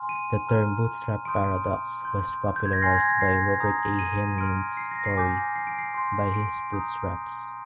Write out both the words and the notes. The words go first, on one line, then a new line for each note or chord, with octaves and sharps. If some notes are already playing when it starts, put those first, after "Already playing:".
The term bootstrap paradox was popularized by Robert A. Heinlein's story "By His Bootstraps".
Already playing: G#5 C6 F6
D#7
A#5 F6
C6 D#6 G6 D7
C6 G6
G6
G#6
A#6
G#5 C6 F6 C7
G#6
A#6
C7
A#5 D#6 G6
D#7
C6 F6 D7
C7
A#6
C7
G#5 D6 G6
C7
D7
C7
C6 G6
D7
A#5 D#6 G6